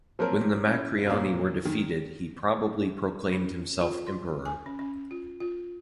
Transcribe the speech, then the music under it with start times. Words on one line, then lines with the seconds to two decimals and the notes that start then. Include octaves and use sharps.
When the Macriani were defeated he probably proclaimed himself emperor.
0.19 F3 F#3 C4 A#4
0.67 C#4 E4
1.07 A#2 C#3 F#3 A#3
1.65 D#3
3.32 C#4
3.81 F4
4.07 C6
4.46 G#5
4.66 C#4
4.79 C#4
5.11 F4
5.40 F4